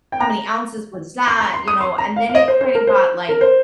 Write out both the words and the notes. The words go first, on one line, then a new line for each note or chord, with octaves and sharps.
How many ounces was that?" You know, and then it kinda got, like
G5
A#5
C6
A#5
C6
D#6
C6
A#5
F5
F5
D#5
C5
C5
A#4
C5
A#4
C5